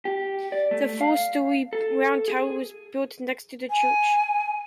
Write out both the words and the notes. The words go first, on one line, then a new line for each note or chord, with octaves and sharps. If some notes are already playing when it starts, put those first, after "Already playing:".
The four-storey Round Tower was built next to the church.
G4
D5
A3
F5
A4
G#4
G#5